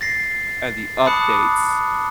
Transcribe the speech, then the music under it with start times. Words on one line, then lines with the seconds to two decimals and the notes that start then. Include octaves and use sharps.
and the updates
0.01 A6 A#6 C7
1.05 A5 B5 D6 D#6 F#6 C#7